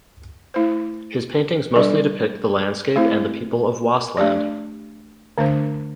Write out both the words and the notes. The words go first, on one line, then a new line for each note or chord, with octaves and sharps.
His paintings mostly depict the landscape and the people of Waasland.
A3 E4 C5
G3 D4 A4 D5
A3 C4 E4 C5
A3 D4 G4 D5
D3 A3 D4 C5